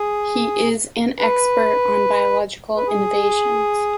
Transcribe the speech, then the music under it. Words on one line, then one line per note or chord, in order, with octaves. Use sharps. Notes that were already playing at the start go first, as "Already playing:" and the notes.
He is an expert on biological invasions.
Already playing: G#4
B4
B4
G#4